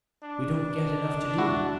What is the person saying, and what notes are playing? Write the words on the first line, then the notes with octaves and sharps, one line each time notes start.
We don't get enough to do.
D4
E4 F#4 F#5